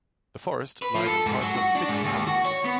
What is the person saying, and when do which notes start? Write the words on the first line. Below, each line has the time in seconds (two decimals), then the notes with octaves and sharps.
The forest lies in parts of six counties.
0.82 B4
0.95 F3
1.07 A4
1.26 G#2
1.42 F#3
1.55 F#4
1.75 D4
1.88 G#2
2.04 D#2
2.27 F#4
2.45 C#5
2.65 B3